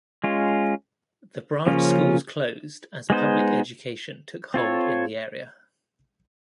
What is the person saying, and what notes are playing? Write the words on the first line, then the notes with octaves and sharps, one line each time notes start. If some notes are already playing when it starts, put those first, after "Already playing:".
The branch schools closed as public education took hold in the area.
G#3 C#4 F4
C#3 F3 A#3 C#4 F4
G#3 B3 D#4 G#4 C5
C4 F4 A4 C#5